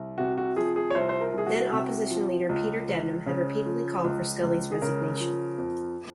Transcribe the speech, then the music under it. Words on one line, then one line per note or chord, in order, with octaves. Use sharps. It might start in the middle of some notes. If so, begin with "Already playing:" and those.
Then Opposition leader Peter Debnam had repeatedly called for Scully's resignation.
Already playing: C2
C3 F#4
F#4
F3 G#4
G#4
C#5
C2 C5
C5
A#4
C2 G#4
F#4
C3
F3
C#2
C#2
C#3
F3
C#2
C#2
G#4
C#3 A#4
F3
F2